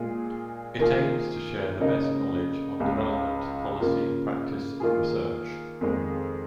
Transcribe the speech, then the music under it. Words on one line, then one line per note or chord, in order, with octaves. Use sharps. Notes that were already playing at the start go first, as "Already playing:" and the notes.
It aims to share the best knowledge on development, policy, practice and research.
Already playing: A#2 G#3 F4 G#4
D#3 A#3 F4 G#4
C#3 A#3 D#4
C#2 C#3 G#3
C#3 A#3 F4
D#3 A#3 F4 G#4
F2 D#3 G#3